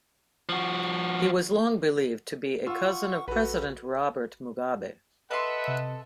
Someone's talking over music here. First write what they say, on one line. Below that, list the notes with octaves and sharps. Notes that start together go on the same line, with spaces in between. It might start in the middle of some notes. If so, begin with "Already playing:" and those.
He was long believed to be a cousin of President Robert Mugabe.
F3 F#4
F4 F#5 C#6 E6
A#1 F#4 A4 B4
A4 B4 D#5 E5 F#5 C6
C3